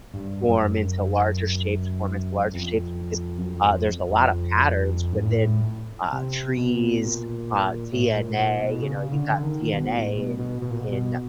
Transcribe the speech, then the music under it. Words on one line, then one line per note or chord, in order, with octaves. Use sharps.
form into larger shapes, form into larger shapes, because, uh, there's a lotta patterns within, uh, trees, uh, DNA, you know, you've got DNA in in,
G2
F#2
F2
F#2
F2
F2
F2
G#2
A2
C3
B2
A#2
A2
A#2
A#2
B2
C#3
D3
D3
D#3
B2
A2
B2
B2
B2
A#2
B2
B2